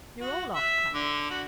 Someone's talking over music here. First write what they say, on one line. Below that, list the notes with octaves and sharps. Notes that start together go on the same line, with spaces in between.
You're all off, Cloudy.
F#4
E5
D3
F#4